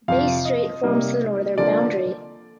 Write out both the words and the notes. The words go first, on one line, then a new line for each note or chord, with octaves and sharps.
Bass Strait forms the northern boundary.
F2 C3 F3 F5
D#5
C3 G3 A#3 D#4
D3 F3 A#3 D5